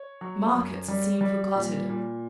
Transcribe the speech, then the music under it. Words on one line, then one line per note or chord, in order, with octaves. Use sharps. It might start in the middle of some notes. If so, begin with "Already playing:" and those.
Markets, it seemed, were glutted.
Already playing: C#5
F#3
F#2
G3
G3
A#2
A#2